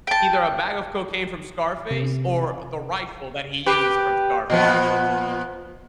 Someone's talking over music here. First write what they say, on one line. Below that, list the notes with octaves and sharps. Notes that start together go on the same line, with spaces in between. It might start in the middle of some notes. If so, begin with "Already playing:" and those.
either a bag of cocaine from Scarface or the rifle that he used from Scarface.
G5 A5
C3
G4 B4
A#2 F3 B3